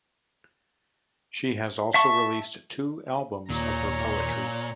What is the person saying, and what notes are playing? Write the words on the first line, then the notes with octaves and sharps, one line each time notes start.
She has also released two albums of her poetry.
E5 A5 C#6
D#2 A#2 C#5 A#5